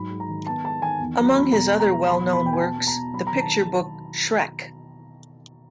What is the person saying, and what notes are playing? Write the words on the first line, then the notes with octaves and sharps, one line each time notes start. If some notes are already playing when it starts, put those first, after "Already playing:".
Among his other well-known works, the picture book Shrek!
Already playing: G#2 F#3 B5
G#3
A#5
D#3
B3 A5
G#3 A5
D#3 G#5
E2
F#3 A#5
E2 B5
B2 A#5
G#3
A#5
B2
E2 B5
E2
B5
B2 G5
G#5
B3 A5
B2
A#5
B2
F#3 B5
A#5
D#3
A5